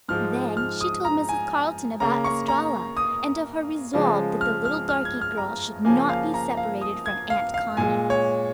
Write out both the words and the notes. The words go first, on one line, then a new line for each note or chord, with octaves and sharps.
Then she told Mrs. Carleton about Estralla, and of her resolve that the little darky girl should not be separated from Aunt Connie.
G#2 F3 G#3 F6
F6
D#6
A#5
G#5
C#3 A#3 A#5
C#6
A#5
D#6
C#3 F3 G#3
F6
F6
F6
G#6
F6
A#5
C#3 F3 A#3 G#5
F5
A#5
F5
D#6
G#6
F5
F5
A#2 G#3 G#5
C#5